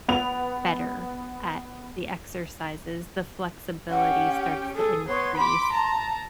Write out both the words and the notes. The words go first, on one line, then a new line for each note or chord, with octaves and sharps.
better at the exercises, the flexibility starts to increase,
B3 F7
C#4 G4 F#5
G#4 A4
B3 C#5 C6
B5 C6 D6
A5 A#5